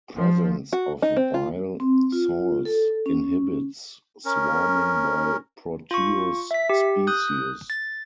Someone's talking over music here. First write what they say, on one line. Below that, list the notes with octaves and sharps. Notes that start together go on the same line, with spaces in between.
Presence of bile salts inhibits swarming by "Proteus" species.
F3
F#4
D#4
C4
F4
C4
F4
A4
C#4
C#4 A#4
F4 C#6
E5 B6
G4
D#6 F#6 G6
A6